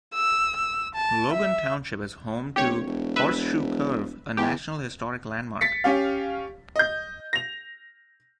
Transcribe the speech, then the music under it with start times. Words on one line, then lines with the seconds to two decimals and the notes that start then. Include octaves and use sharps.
Logan Township is home to Horseshoe Curve, a National Historic Landmark.
0.14 E6
0.56 E6
0.94 A5
1.32 E5
2.56 D1 G4 C#5
2.87 E1
3.16 B4 E5
4.37 E2 G4
5.61 A6 B6 C#7
5.84 C#4 G4 F5
6.76 D#5 G6
7.33 A#6 F7